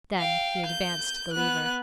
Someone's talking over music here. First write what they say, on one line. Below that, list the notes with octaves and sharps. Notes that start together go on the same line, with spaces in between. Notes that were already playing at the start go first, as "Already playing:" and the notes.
Then he advanced the lever.
F5 G5
G6
B3 F#6